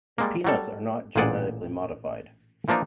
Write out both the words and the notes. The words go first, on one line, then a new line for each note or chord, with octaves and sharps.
The peanuts are not genetically modified.
G3 G#3 A#3
F#3 G3 A4
A1 A#2 C4 G#4 D5 F#5
E3 F3 A#3 D4 D#4